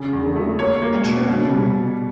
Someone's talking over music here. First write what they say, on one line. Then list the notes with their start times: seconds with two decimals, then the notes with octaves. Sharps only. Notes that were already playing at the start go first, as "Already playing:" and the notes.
Wu and Sherman Wu.
Already playing: C#3
0.13 E2
0.36 A3
0.59 A#3 C#5
0.82 A#3
1.05 B2
1.28 B2
1.51 G3
1.74 B2